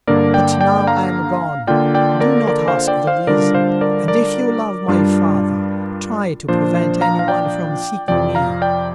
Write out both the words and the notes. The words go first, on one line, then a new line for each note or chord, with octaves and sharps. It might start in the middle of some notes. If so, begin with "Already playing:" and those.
But now I am gone. Do not ask the reason; and if you love my father, try to prevent any one from seeking me.
G2 D3 A#3 D4 A#4 D5
D5 G5
D5 G5
F5 A#5
D3 A#3 F4 D5 G5
D5 G5
A#4 D5
A#4 D5
C5 F5
D5 G5
C5 F5
D3 G3 D4 F4 A#4 D5
C5 F5
A#4 D5
A#4 D5
G2 G3 D4 F4
A#2 F3 D4 F4 C5
C5
F5 A#5
F5
D5 G5
F2 C3 F3 D5 G5
F5 A#5
D5 G5